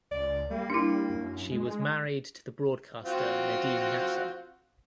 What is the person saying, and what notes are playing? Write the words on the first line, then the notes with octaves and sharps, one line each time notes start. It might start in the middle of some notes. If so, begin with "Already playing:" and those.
She was married to the broadcaster Nadim Nasser.
C#2 D5
G3 A#3
D4 E4
F#2
G#3
C4 F4 F#4